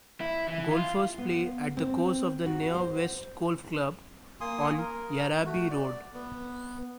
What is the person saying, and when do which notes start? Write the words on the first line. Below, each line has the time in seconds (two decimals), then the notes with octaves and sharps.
Golfers play at the course of the Nyah West Golf Club on Yarraby Road.
0.20 E4
0.48 E3
0.72 F4
1.18 B3
1.77 C4
2.46 F#4
2.74 C5
4.41 A#3 G#5 C6 D#6
4.78 A#4
5.46 A3 F#4
5.70 D5
6.14 B3